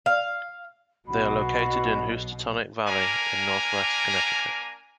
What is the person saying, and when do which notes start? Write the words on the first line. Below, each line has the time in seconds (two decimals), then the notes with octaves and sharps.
They are located in the Housatonic Valley in northwestern Connecticut.
0.06 F5
1.08 B1 B2 F#4 B5
2.87 A#3 D4 A#4 G#5 A#5